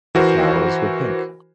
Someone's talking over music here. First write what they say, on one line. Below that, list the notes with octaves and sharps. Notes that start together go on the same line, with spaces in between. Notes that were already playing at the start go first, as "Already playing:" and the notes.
The flowers were pink.
E3 F#4 A#4 C5